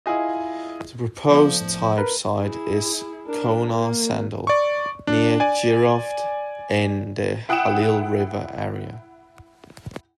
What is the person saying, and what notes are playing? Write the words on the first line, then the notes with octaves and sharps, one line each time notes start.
The proposed type site is Konar Sandal, near Jiroft in the Halil River area.
E4 F4 G#4 D#5
F3 B3 F4 C5 D5 D6
A2
A#4 B4
E4 G#4
D4 A#4
A#3
D5 C#6
D4
D5 G#5
E4 F#5 G5 D#6 D7 E7